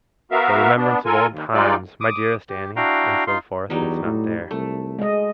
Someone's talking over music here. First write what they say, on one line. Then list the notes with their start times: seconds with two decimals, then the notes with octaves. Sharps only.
"The remembrance of old times, my dearest Annie"--and so forth--it's not there.
0.32 B3 F#4 A#4 E5 F5
0.77 B3 D4
1.06 F4 A4 A#4 G#5
1.29 D#2
1.53 G3 G#3 D#4 F4 D5
2.01 D6 D#6
2.49 G4
2.76 D4 E4 F#4 F5 G5 A#5
3.27 D#4 F4 F5 C6
3.70 E2 F#3 G3 D#4
4.04 A2
4.51 C2 A3
4.99 G#3 D#5